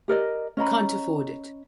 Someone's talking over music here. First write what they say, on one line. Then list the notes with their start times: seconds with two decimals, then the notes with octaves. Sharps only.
Can't afford it.
0.08 G4 A#4 D5 D#5
0.57 C#4 D#5 A#5 B5